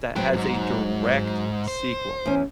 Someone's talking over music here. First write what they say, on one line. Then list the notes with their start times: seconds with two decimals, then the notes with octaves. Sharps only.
that has a direct sequel.
0.16 F#3 C4 B4 G5
0.33 F2 G#2
1.68 C5
2.26 E2 C#4